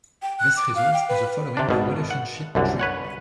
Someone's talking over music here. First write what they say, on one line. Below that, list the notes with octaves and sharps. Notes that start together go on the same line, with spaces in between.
This results in the following relationship tree.
G5
F#6
D6
F5
G5
B4
C3 D4
G#1 B2
F#5
C2 F#2 D3
B4 C#5 F#5